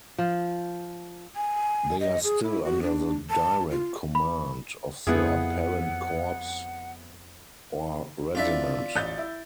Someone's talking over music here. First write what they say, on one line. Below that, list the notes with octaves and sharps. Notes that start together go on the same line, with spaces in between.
They are still under the direct command of their parent corps or regiment.
F3
G#5
D#5
G#4
E4
F#4
D4
A5
F4
B5
F2 B3 E4 G#4 F#5
C4 D4 E4 F4 D5 E5
A1 G6 A6
E4